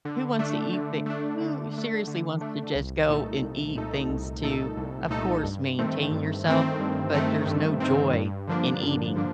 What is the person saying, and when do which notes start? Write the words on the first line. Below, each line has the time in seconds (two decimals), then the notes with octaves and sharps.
Who wants to eat thi who seriously wants to just go and eat things to, of course, maintain yourself, but there's no joy in eating.
0.05 D3
0.39 A3 D4
0.73 D3
1.06 A3 D4
1.40 D3
1.73 A3 D4
2.07 D3
2.41 A3 D4
2.75 C2
3.09 A#2 A3 D#4 A4
3.42 C2
3.75 A#2 A3 D#4 A4
4.09 C2
4.43 A#2 A3 D#4 A4
4.77 C2
5.10 A#2 A3 D#4 A4
5.44 G2
5.79 D#3 A3 C4
6.11 G2
6.46 D#3 A3 C4
6.80 G2
7.14 D#3 A3 C4
7.47 G2
7.80 D#3 A3 C4
8.14 G2
8.47 D3 F3 A#3 D4
8.82 G2
9.15 D3 F3 A#3 D4